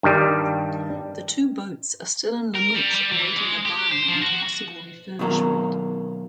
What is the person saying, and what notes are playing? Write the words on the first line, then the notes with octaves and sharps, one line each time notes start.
The two boats are still in Lumut awaiting a buyer and possible refurbishment.
G2 D#3 G3
A#4
G3
G3
E3
G#3
G4
C5
F3
F#4
B2 D#3 F#3 G3 A#3